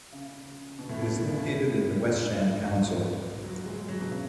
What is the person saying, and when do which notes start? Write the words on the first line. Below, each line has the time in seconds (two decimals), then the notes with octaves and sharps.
It is located in the West sham Council.
0.12 C#3
0.79 B2
0.89 A2
1.01 B2
1.22 D#3
1.30 C#3
1.38 B2
1.45 A2
2.11 G#2
2.34 G#2
2.56 A2
3.44 F#3
3.66 G#3
3.88 F#3
4.01 B2
4.11 C#3